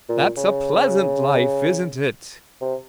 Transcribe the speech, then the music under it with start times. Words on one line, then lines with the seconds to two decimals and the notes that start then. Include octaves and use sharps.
'That's a pleasant life, isn't it?
0.09 A#2
0.37 C#3
2.61 C3